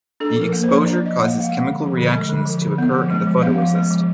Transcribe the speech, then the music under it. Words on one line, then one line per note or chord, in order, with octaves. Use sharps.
The exposure causes chemical reactions to occur in the photoresist.
D4 A4
F3
A#4
A#3
C5
F3
D4 D5
F3
D#5
A#3 F#5
F5
F3
F#5
G#3 F5
D3
F3
D3
G#3
D3
F3
D3
B3
F3
G#3
F3
B3 F5
F3
G#3
F3